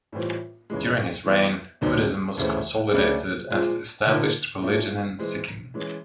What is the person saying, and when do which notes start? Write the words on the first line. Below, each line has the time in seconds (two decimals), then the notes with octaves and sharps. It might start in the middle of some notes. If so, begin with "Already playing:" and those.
During his reign Buddhism was consolidated as the established religion in Sikkim.
0.13 A2 E3 G3 C4 F4
0.70 D#2 C#3 E3 G#3
1.26 E3 G3 B3
1.81 D2 D3 F#3 B3 D#4
2.37 D2 C#3 E3 A3 C4
2.93 D2 C#3 F#3 A3 D4
3.51 A#2 F3 G#3
4.07 D3 F3 A#3 D#4
4.62 A#2 F#3 A3
5.19 E3 G#3 C4
5.74 E3 G#3 C#4